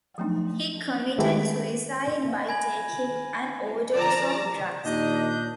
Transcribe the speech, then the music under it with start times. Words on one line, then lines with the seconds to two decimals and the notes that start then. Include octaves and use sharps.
He committed suicide by taking an overdose of drugs.
0.18 F3 F#3 A3 B3 D4 D#4
1.18 D#3 G#3 A3 B3 G4
2.48 G#5 B5 G#6 A#6 F#7
3.92 F3 D5 A5 A#5
4.85 D#2 A#2 D4 D#5 G6